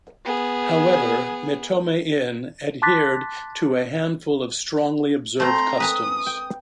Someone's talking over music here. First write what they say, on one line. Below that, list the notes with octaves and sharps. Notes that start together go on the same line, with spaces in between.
However, "mitome-in" adhere to a handful of strongly observed customs.
B3 G#4
A5 C6 D6 F#6 A6 B6
A3 C4 A#5 C6
B4 G#5 A#5 D#6
G5